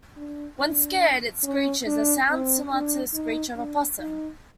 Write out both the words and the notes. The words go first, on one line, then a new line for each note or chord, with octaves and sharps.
When scared, it screeches - a sound similar to the screech of a possum.
D4
D4
C#4
D4
C4
D4
D#4
D4
D#4